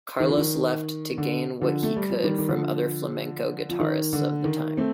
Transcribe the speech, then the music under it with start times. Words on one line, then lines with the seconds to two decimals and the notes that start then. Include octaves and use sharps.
Carlos left to gain what he could from other flamenco guitarists of the time.
0.20 D#3
0.29 F3
0.38 D#3
1.18 D3
1.62 D3 F3
1.83 A3
1.96 G3
2.10 F3
2.23 D#3 G3
2.38 D#3
2.48 D3 F3
3.69 F3
3.80 D#3
4.13 D3
4.44 D#3
4.77 A3 C4